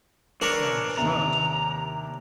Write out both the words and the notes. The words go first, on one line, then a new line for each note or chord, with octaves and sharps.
Stanley shrugged.
E3 D4 A#4 C#5
D#2 C3 A#5